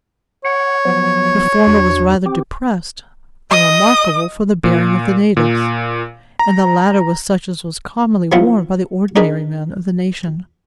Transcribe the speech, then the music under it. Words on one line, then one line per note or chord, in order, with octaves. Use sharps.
The former was rather depressed, than remarkable for the bearing of the natives; and the latter was such as was commonly worn by the ordinary men of the nation.
C#5 F#5
F3 F#3 B3
E2 D4 F#4
C4 G4
D#5 D#6
A#2
A#2
A#5
F3 F#3 B3 C4 E4 F4
D4 D#4 G#4 A#4 B4 D5